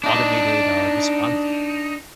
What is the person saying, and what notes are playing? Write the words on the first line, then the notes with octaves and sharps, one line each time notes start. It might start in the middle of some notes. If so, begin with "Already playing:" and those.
automated, uh, responses,"
D4 D#4